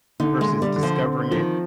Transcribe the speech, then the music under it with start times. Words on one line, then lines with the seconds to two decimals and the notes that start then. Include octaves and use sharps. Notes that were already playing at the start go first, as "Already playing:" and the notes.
versus discovering it
0.20 D3 D#4
0.41 G#3
0.48 D3
0.62 G3
0.76 D3
0.83 F3
1.04 C4
1.31 D#3 F3